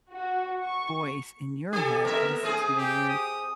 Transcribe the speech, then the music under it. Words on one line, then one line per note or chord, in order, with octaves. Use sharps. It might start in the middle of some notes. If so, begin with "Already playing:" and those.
voice in your head to listen to when you're
F#4
C#6
G4 A4 G#5
A#3 A#4 E5
C4 G#4 D#6
G4
D#6